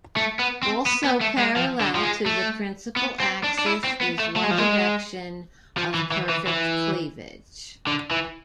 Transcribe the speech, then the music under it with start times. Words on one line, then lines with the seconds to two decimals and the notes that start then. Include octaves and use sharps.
Also parallel to the principal axis is one direction of perfect cleavage.
0.17 A3
0.39 B3
0.63 C4
0.86 B3
1.04 B3
1.21 A3
1.38 G#3
1.57 F3
1.80 D3
1.95 F3
2.03 G#3
2.26 A3
2.97 B3
3.20 C4
3.44 D4
3.59 D4
3.66 E4
3.85 C4
4.01 B3
4.19 A3
4.36 A3
4.44 G#3
4.51 F3
4.58 G#3
5.77 F3
5.94 E3
6.12 E3
6.30 E3
6.48 E3
7.88 D3
8.11 E3